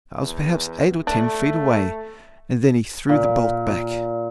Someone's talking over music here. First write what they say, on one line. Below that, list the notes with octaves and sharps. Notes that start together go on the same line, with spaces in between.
I was perhaps eight or ten feet away--and then he threw the bolt back.
E2
A3 D4
A#2